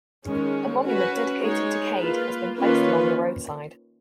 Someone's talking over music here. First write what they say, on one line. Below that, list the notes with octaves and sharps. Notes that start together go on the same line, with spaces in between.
A monument dedicated to Cade has been placed along the roadside.
D#3 G#3 C#4
C#4 F#4 B4
G#3 D#4 G#4 C#5
A#3 F4 B4
D#3 A#3 C#4 F4 B4